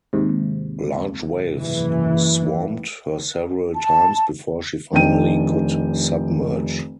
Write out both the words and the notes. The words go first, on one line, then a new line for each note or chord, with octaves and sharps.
Large waves swamped her several times before she finally could submerge.
D#2 G#2 C3
F#1 E3
A5
F1 D#3 D4 G5 D#7